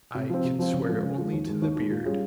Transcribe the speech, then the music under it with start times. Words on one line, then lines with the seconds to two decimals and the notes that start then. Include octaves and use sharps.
"I could swear only to the beard."
0.15 C3
0.30 F3 C4
0.44 C3
0.59 F3 C4
0.73 C#3
0.88 F3 G#3
1.03 C#3
1.17 F3 G#3
1.32 D#2
1.47 D#3 G#3
1.62 D#2
1.76 D#3 G#3
1.90 A#2
2.05 G3 C#4 F4 G#4